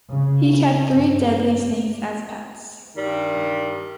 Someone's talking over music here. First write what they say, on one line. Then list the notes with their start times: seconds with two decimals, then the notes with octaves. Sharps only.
He keeps three deadly snakes as pets.
0.11 C#3
0.92 G2
2.97 G2 D#3 G3